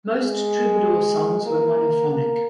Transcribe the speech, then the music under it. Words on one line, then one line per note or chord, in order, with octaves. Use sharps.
Most Troubadour songs were monophonic.
G#3
A#3
A#3